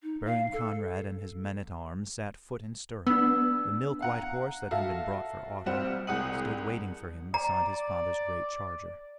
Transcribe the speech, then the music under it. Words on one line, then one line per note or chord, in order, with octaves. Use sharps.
Baron Conrad and his men-at-arms sat foot in stirrup, the milk-white horse that had been brought for Otto stood waiting for him beside his father's great charger.
D#4
F5
A4
B3 D4 E6
F5 F#5 A#5
F#4 A4 E5 F5
B1 G3 C4 F#5 F6 E7
C2 G#3 F#5 D#6 D#7 F#7
D5 A#5